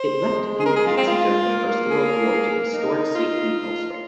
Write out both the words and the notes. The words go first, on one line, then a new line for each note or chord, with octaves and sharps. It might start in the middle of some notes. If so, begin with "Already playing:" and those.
It left the Uffizi during the First World War to be stored safely elsewhere.
Already playing: C5
G#3
G#4
A#4
G#4
F4
C4
F4
A#3
G#4
D#4
F4